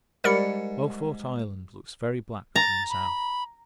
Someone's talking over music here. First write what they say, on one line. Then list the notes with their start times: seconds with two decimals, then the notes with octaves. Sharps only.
Beaufort Island looks very black from the south.
0.24 G#2 G3 G4 A#4 D5 B5 C#7
2.56 A#5 A6
2.90 B5